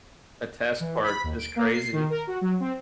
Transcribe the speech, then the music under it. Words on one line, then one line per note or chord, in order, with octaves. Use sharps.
The test part is crazy,
E3
B5
D#2
D7
A#3
C7
D#3
A#4
F#4
F#3
C4